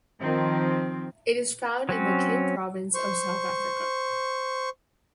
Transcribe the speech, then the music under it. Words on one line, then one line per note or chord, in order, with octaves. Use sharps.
It is found in the Cape Province of South Africa.
D#3 F3 C4
F#3 C4 C#4
C5 C#6